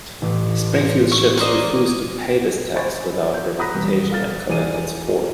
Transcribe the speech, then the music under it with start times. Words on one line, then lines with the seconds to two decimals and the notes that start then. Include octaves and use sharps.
Springfield's ships refused to pay this tax without representation at Connecticut's fort.
0.22 A1
1.12 C#6
1.37 A#3 A#4 C5 D5 D#5
2.76 C5 D#5 G#5 B5 C#6 A6
3.34 G6
3.59 A#5 B5 D#6 F#6 A#6 B6
3.75 E1 G3 B3
4.10 A4 F5 F6 A6
4.50 E2 D#4 G#4 B4 D5 D#7